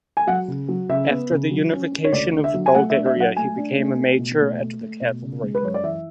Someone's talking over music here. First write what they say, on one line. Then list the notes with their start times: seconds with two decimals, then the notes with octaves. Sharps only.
After the Unification of Bulgaria, he became a major at the cavalry.
0.17 G#5
0.27 F#3 F#5
0.48 C#3
0.68 F#3
0.89 C#3 E5
1.10 B3
1.31 C#3
1.51 F#3
1.71 C#4
1.92 C#4
2.05 C#5
2.13 D2 D5
2.33 D3
2.44 E5
2.54 F#3
2.66 G#5
2.74 A3 F#5
2.90 E5
2.96 D4
3.06 E5
3.16 F#3 F#5
3.37 A3 G#5
3.58 D4
3.77 A3
3.98 A3
4.19 B2
4.39 A3
4.60 A3
4.81 A3
5.01 B2
5.22 C#3
5.43 G#3
5.55 B4
5.63 F#2 C#5
5.74 D5
5.83 E3 E5